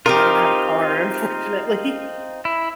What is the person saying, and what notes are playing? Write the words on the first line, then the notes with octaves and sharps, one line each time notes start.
Oh, I don't have a car, unfortunately.
C4 D#4 F4 G4 A#4
E4